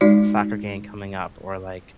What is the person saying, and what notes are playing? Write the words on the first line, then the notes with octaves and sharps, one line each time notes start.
soccer game coming up?" Or, like,
G#3 D#4 F#4 D5